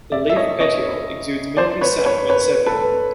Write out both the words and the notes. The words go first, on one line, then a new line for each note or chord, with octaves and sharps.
The leaf petiole exudes milky sap when severed.
D5 E5
E5
C#5 D#5
C#5 D#5
C5 D5
B4 C#5
B4 C#5
B4 C#5
A4 B4